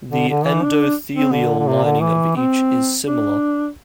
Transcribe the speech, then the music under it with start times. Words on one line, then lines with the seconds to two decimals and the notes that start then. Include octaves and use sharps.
The endothelial lining of each is similar.
0.10 D3
0.29 D3
0.45 E3
0.63 D4
1.15 C4
1.32 D3
1.59 D3
1.67 C3
1.84 D3
2.01 E3
2.36 C4
3.06 D4